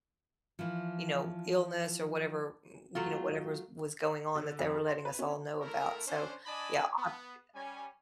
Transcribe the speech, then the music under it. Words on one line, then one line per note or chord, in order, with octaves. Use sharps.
you know, illness or whatever, m you know, whatever's was going on that they were letting us all know about. So, yeah, I'll have to do that.
E3 F3
F#3 A3 F4
D3
F2
A4
C6
B4
C#4
A3 E4 A4 A#4
C#4 D4 C5
D4 D5 D#5 G#5 A5 B5
B3
G3 C#4 G#5